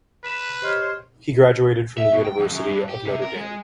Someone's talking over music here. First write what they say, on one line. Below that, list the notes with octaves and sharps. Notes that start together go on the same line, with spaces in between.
He graduated from the University of Notre Dame.
B4 B6 E7
G4 C5 C#5 D#5 F6
E5
B2
G5
F2
F#2
G2
G4
C3
A#4
G#3